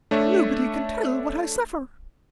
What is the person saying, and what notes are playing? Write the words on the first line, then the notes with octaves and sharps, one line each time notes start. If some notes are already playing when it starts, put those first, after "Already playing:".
Nobody can tell what I suffer!
A3 D4 C#5 E5